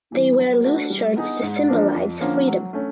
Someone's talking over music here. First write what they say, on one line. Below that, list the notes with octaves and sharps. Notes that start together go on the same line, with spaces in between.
They wear loose shirts to symbolize freedom.
E3 G3
F#3
A3 D4 F#4 B4
G3
B3 D#4 G#4
G#2
F3 A#3 D4
F2
D3 F3 A#3 C#4
F#3
A3 C#4